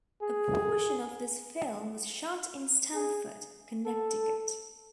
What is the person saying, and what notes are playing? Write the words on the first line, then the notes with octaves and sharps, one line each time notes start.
A portion of this film was shot in Stamford, Connecticut.
G#4
G#4
A4